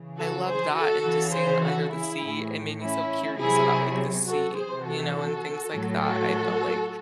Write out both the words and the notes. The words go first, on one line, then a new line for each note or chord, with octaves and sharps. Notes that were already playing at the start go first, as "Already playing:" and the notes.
I love that and just seeing the under the sea, it made me so curious about, like, the sea, you know, and things like that, I felt like
Already playing: C#3 E3
F#4 A4
G#4 C5
F#4 A4
C#3 E3
G#4 C5
F#4 A4
E4 G#4
A2 E3
C#4 E4
C3 F#3 E4 G#4
F#4 A4
C3 E3 G#4 C5
F#4 A4
A2 F#3
F#4 A4